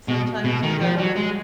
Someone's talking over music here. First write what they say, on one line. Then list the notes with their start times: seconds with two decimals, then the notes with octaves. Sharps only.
Sometimes you gotta
0.08 B2
0.44 B2
0.63 D#3
0.81 F3
0.99 F#3
1.17 G#3